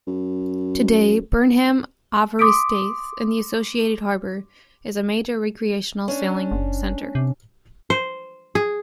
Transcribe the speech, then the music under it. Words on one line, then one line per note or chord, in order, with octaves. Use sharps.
Today Burnham Overy Staithe, and the associated harbour, is a major recreational sailing centre.
F#2
C6 D6 D#6 B6 D7
C#4 D4
F#1
C3
C5
G#4